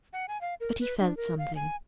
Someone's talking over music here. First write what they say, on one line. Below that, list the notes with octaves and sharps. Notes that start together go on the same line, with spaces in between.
But he felt something.
F#5
G#5
F5
A#4
B4
D4
A#4
F5
G#5